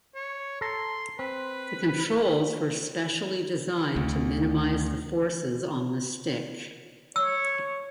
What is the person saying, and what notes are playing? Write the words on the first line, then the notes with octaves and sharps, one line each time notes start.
The controls were specially designed to minimize the forces on the stick.
C#5
A4 A#5 C6
C4 B4
D2
C#5 E6